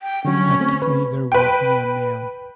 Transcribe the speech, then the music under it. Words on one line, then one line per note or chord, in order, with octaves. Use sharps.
At three there would be a mail.
G5
D3 F#3 C#4
A3 C4
B4
B4 G5